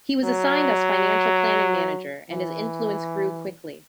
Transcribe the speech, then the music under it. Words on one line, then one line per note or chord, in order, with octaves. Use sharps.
He was assigned as financial planning manager, and his influence grew quickly.
F#3
E3